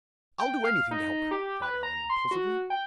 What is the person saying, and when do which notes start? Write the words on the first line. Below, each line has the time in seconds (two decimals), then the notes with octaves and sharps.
"I'll do anything to help her!" cried Allan, impulsively.
0.40 G5
0.64 F5
0.91 D#4
1.31 G4
1.62 B4
1.83 A#5
2.10 C6
2.31 F#4
2.70 G5